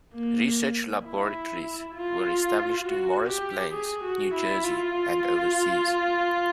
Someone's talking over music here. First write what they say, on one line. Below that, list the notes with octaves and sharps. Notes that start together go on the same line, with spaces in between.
Research laboratories were established in Morris Plains, New Jersey, and overseas.
A#3
E4
F4
F#4
G4
G#4
F#4
E4
F4